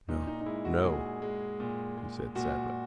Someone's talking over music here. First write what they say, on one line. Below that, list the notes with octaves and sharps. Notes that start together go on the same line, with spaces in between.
"No, no," he said sadly.
A#2 D#4
D#4
D#4
G#3 E4
F#4
A#2 G#4
G#3
A#2
G#3
A#2 F#4